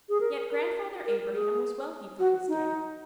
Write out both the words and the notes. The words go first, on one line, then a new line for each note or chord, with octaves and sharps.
Yet Grandfather Abraham was wealthy for his day.
G#4
A#4
A#4
A#4
G#4
F#4
D#4